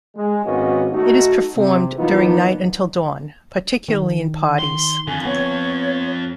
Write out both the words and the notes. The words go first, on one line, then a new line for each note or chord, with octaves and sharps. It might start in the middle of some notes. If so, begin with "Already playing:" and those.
It is performed during night until dawn particularly in parties.
G#3
G#1 A#3 B3 C#4 F#4 D#5
A3 D#4 F#4
C3
E3 F3 A#3 B3 D#4 F4
D#3
C6
F2 D3 G#5
B3 C#5